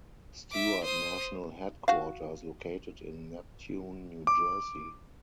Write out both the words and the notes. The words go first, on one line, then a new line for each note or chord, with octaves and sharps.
Stewart National Headquarters, located in Neptune, New Jersey.
E5 D6
C5 D#6
F#4 F5
D6